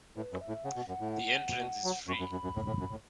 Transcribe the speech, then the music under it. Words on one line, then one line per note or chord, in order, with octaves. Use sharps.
The entrance is free.
A2 B4
F#2
E5
A2
C#3 F#5
B2
F#2 F#5
A2
F#5
B2
F#3
F#2 C#6
B5
F#2
F#2
F#2
A2
A2
F#2
A2